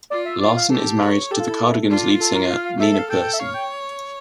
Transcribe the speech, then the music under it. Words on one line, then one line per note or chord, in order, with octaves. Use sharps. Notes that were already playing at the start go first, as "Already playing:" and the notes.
Larson is married to The Cardigans lead singer, Nina Persson.
F4 D5
E5
F4 D5
F5
G4 A4
C#5
G4 A4
F4
E4
D4 F4
A4
A#4
F5
F5
A4 E5
E5
F5
A4 G5
E5
C#5 F5
G5